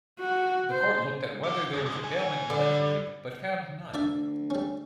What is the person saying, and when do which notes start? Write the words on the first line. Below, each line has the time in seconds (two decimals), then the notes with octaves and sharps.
The Court looked at whether there was a bailment relationship but found none.
0.19 F#4
0.71 C5
1.44 G4 F#5
1.73 F2 G#2
1.86 D3 G#3
2.03 C5 G#5
2.50 D3 G3
3.94 D2 D4 D5 E5
4.50 G3 C#4